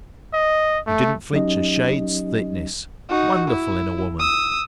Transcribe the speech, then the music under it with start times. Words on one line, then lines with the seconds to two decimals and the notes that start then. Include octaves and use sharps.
"You didn't flinch a shade's thickness. Wonderful in a woman!"
0.33 D#5
0.87 A3
1.33 F#3 C#4 D#4 G4 D#5
3.09 D#4 F#4
3.48 E4
4.19 D#6 E6